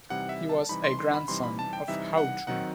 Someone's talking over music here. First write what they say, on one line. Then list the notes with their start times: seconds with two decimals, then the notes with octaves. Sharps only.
He was a grandson of Houtu.
0.10 C3 E3 G3 D#4 F#5
0.29 E5
0.49 A5
0.69 C3 E3 G3 D#4 B5
0.84 C6
0.99 C6
1.14 B5
1.28 C3 E3 G3 D#4 C6
1.43 B5
1.59 A5
1.73 G5
1.88 C3 E3 G3 D#4 E5
2.17 F#5
2.47 D#3 F#3 C4 D#4 F#5